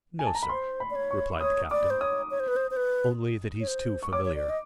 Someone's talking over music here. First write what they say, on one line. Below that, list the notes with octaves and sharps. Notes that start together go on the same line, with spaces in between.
"No, sir," replied the captain, "only that he's too familiar."
G#5
A5
A#5
B5
C5 C6
B5
D5
C#5
C#6
C#5 D#6
D5 D6
C5
C#5 D#6
C#5
C5
B4
C5
C5
B4
C#5
C5
C#6
C#5 D6
C#5
D5
D#5